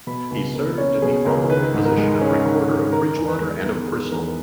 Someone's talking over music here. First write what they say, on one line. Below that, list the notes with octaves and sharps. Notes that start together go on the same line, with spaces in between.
He served in the honourable position of Recorder of Bridgwater and of Bristol.
B2 B5
C#2
A#3
C#4 C#5
B2 G#4
C#2 A#4
D#3 B4
G#2
A#4
G#3
C#4 G#4
D#3
G#2
D#3 A#4
E2
B4
G#3
B3 A#4
D#3 G#4
E2 A#4